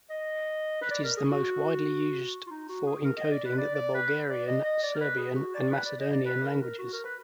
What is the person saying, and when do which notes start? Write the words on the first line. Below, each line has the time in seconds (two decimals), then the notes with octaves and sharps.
It is the most widely used for encoding the Bulgarian, Serbian and Macedonian languages.
0.10 D#5
0.81 B4
0.91 D5
1.04 A#4
1.17 G#4
1.30 F#4
2.47 F4
2.50 D#4
2.69 F#4
2.86 G#4
3.04 A#4
3.17 D#5
3.31 D5
3.45 B4
3.58 D5
3.75 D5
3.94 B4
4.29 D5
4.46 D#5
4.64 D#5
4.83 D5
4.95 A#4
5.01 B4
5.18 G#4
5.35 F#4
5.55 D5
5.71 B4
5.85 D5
5.99 D#5
6.12 D5
6.25 B4
6.43 A#4
6.61 A#4
6.78 F#4
6.93 A#4
7.04 B4